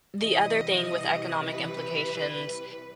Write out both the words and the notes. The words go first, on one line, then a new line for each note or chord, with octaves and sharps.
the other thing with economic implications
C3 E3 G3 D#5
B4